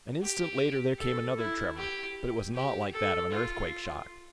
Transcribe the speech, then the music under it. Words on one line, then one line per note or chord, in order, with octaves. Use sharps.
An instant later there came another tremor, but it was not like that of an earthquake shock.
G4
A4
E4
G4
G4
A4
F4